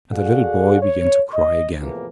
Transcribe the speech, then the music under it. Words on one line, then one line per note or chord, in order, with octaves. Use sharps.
And the little boy began to cry again.
F#4 G#4 A4 D5 F5 F#5
C#5
D#5
E2 A2 C3 E3 F3 A#3